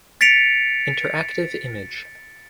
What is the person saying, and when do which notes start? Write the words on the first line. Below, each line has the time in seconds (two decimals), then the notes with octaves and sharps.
Interactive image.
0.21 A6 B6 C#7 D7 F7